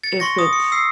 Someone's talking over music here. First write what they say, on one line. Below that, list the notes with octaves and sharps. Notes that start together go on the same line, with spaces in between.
if it's
A6 C#7
C6 C#6 A#6
D#6
C#7
E6 C7